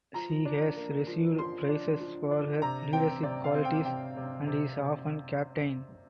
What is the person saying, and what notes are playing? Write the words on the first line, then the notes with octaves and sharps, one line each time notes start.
She has received praise for her leadership qualities and is often captain.
F3 A#5
D4
A#3
F3
F3 C6
D4
F3
D4
C3 A#5
C4 G5
C3 D5
F5
C4
G5
C3 G5
C3
C3
C3